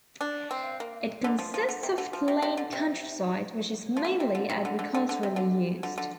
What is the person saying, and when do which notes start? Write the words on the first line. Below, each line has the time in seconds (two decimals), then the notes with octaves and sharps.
It consists of plain countryside, which is mainly agriculturally used.
0.21 D4
0.51 C4
0.80 A#3
1.24 D3
1.39 F3
1.54 F3
1.69 D3
1.83 C3
1.98 D3
2.13 F3
2.28 C3
2.42 C3
2.57 D3
2.73 C3
3.97 F3
4.05 D3
4.20 C3
4.35 D3
4.50 C3
4.65 D3
4.79 D3
4.95 D3
5.09 D3
5.23 C3
5.36 D3
5.83 D3
5.98 D3